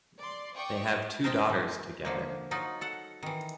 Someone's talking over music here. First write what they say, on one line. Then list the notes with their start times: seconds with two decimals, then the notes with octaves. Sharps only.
They have two daughters together.
0.19 D5 C6
0.55 D5 G5 C#6 D#6
1.24 A#4 C5 D#5 G5 A5
1.49 E3
2.05 D3 F3 A#3
2.51 F#3 D#4 F4
2.81 A4 F#5
3.23 D#3 E3